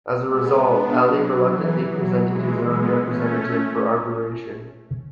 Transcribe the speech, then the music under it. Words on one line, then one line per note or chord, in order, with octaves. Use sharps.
As a result, Ali reluctantly presented his own representative for arbitration.
G#3 B3
B3 D4
F#3
E3
F#3
E3 G#3
G#3 B3
A3 C#4